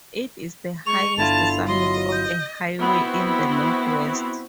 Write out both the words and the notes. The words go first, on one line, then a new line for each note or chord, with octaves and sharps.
It is the highest summit of a highway in the Northwest.
G#3 C#6 F7
G1 D3 E4 F4 A5
F#3 D#5 C6
G6
B3 C4 E4 F#4